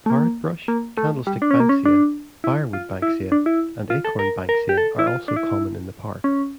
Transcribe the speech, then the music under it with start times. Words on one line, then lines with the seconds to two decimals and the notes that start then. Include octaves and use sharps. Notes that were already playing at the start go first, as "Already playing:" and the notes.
Parrotbush, candlestick banksia, firewood banksia and acorn banksia are also common in the park.
0.06 A3
0.10 A#3
0.68 A#3
0.97 A3
1.27 G3
1.42 D4
1.51 C#4
1.60 A#3
1.69 C#4
1.85 D4
2.44 E4
2.73 F4
3.02 E4
3.32 D4
3.46 E4
3.90 F4
4.05 A4
4.19 A#4
4.49 A#4
4.69 G4
4.78 A4
4.99 E4
5.07 F4
5.28 D4
5.36 E4
6.24 C#4